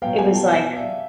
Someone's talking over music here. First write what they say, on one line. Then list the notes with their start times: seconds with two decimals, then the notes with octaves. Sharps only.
it was like
0.02 B2 F#3 B3 F5 G5
0.18 F#5 G#5
0.35 G5 A5
0.51 F#5 G#5
0.76 D5 E5